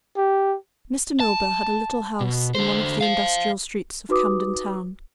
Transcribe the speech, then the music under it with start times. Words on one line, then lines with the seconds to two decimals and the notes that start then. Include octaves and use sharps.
Mr. Milburgh had a little house in one of the industrial streets of Camden Town.
0.17 G4
1.20 A5
2.21 B2
2.55 D3 C5
3.01 C5 F5
4.09 D#4 F#4 B4 D6 D#6